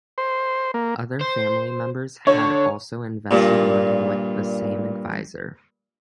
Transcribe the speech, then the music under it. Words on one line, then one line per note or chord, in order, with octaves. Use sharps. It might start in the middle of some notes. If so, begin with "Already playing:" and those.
Other family members had also invested money with the same advisor.
C5
A#3
C5
D3 C#5
G2 A#2